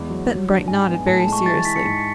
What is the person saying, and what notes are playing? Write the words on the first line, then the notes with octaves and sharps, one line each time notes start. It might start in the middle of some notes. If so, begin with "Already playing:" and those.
Button-Bright nodded, very seriously.
Already playing: E2 G#3
F#3
F#3
D4
G#2 G#5
B3
G#5
A2 A5
A5
G#3
C#6
E3 A6
E4 B6
C#7
G#2 B6
C#7